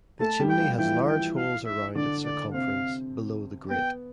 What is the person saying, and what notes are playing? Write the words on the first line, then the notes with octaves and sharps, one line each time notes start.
The chimney has large holes around its circumference below the grate.
A3 A4 A5
G3 G4
G5
F3 F4
E3 E4 G5
G5
F5
E5
D3 D4 D5
D5
C3 C4 F5
B3 G5